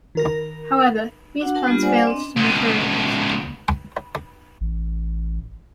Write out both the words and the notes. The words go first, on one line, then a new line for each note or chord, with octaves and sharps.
However, these plans failed to materialise.
D#3 A#4 A#6
D4 F#4 F#5
D4 A#4 A5
G3 A#3 B3 D4 F4 G4
A#4 C5 D5 F#5 G#5
C4 D4 D#5
C#2 B2
A1